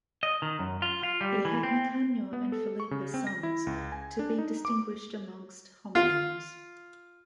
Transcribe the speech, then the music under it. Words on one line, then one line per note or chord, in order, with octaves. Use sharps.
He had Nicanor and Philippe as sons, to be distinguished amongst homonyms.
D#5
D#3
F#2
F4
F4
G3
E3
C4
B3
A4
C#6
C#3
C4
A#6
E4
C#2
G#5
D4
D#4
D6
F4